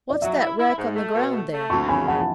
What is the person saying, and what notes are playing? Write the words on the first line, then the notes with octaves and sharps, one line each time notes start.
What's that wreck on the ground there?'
D5
F#3 E5
E4
E4
G#2
A3
B2
A3
A3
D2 A5 C#6
C#3 G#5 B5
C#3 F#5 A5
A5